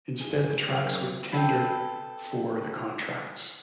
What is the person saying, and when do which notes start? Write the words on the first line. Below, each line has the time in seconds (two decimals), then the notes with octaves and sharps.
Instead the tracks would tender for the contracts.
0.21 G2 D#4 E4 G#4
0.62 F#2 A#2 F#3 C4 D6 E6
1.32 C4 A4 B4